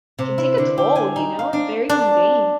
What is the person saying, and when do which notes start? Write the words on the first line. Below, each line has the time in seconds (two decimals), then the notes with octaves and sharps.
can take a toll, you know? Very mundane.
0.19 C3
0.38 E4
0.58 D3
0.78 G4
0.95 G#5
1.16 D#4
1.39 F5
1.53 D4
1.89 D4